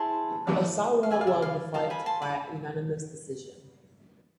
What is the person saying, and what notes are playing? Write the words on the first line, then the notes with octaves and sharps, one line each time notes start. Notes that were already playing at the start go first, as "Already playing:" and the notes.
Osawa won the fight by unanimous decision.
Already playing: E4 G#4 C5 A5 C6
E4 A4 D5
F5
G#4 B4 D5 E5 G#5
F5
E5 G#5
F5
F4 A4 C5 F5 A5
G#5 B5
A5 C6
B5 D6